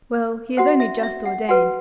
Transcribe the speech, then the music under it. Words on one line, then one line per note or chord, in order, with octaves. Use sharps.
Well, he is only just ordained.
F#4 C5 F#5
E5
E5
F#5
F#4 B4 F#5